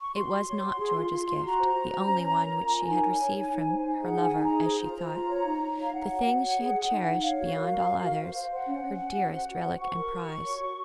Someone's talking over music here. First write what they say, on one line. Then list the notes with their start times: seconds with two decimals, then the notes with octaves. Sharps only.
It was not George's gift; the only one which she had received from her lover, as she thought--the thing she had cherished beyond all others--her dearest relic and prize.
0.01 C#6
0.15 F#4 C6
0.31 F#4
0.47 C#5
0.64 F#4
0.80 G#4
0.95 F4
1.11 F4
1.27 F4
1.43 F#4 A#5
1.59 C5
1.75 F#4
1.92 C5
2.08 C#4
2.24 C#5
2.40 A#4
2.57 F4
2.72 A#4 G#5
2.88 D#4
3.05 C#5
3.20 C#5
3.36 D#4
3.52 D#4
3.69 C5
3.85 D#4
4.01 G#4 F#5
4.17 D#4
4.23 G#5
4.33 D#4
4.43 A#5
4.50 G#4
4.65 C5 A#5
4.82 F4
4.97 C5
5.13 F4
5.29 C#5
5.46 D#4
5.62 D#4
5.78 C#5 F5
5.94 C#5 F#5
6.09 F#4
6.26 F#4
6.41 C#5
6.59 G#4
6.74 G#4
6.90 D#4
7.06 D#4
7.22 C#5 F5
7.39 F#4
7.55 A#4
7.71 A#4
7.86 F#4
8.03 F#4
8.19 C5
8.35 C5
8.51 C5 F#5
8.67 C#4
8.84 C#4
8.99 C#4
9.15 F#4
9.32 C5
9.48 F#4
9.64 C5
9.80 F#4 C#6
9.96 A#4
10.12 F#4
10.28 F#4
10.44 C#5
10.60 F#4